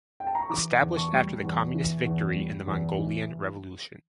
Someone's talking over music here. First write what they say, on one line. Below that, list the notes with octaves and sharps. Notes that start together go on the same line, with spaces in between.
Established after the communist victory in the Mongolian Revolution.
G5
A5
A#5
C#6
E3 A#5 D6
E2
A5 C#6
G3
E2
E3
E2
G3
E2
E3